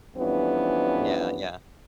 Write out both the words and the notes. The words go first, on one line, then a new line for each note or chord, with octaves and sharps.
Yeah, yeah.
F2 E3 G3 B3 C#4 D4